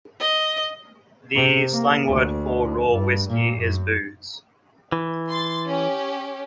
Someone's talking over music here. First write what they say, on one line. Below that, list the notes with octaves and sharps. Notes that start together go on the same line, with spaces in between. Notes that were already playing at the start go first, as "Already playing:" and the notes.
The slang word for raw whiskey is booze.
D#5
C3
A#3
D2
G2
A#2
F#2
E3
C6 A6
C#4 G4